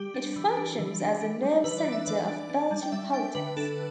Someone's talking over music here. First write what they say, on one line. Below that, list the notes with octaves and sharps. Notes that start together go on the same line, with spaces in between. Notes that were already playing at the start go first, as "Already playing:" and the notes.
It functions as the nerve center of Belgian politics.
Already playing: G3 G4
D4
E3
D4
E3
D4
D4
G3
E3 B4
D5
D4
E5
E3 D5
D4
D4
G3
G5
G3 E5
D4 G5
D3 B4
D4 A4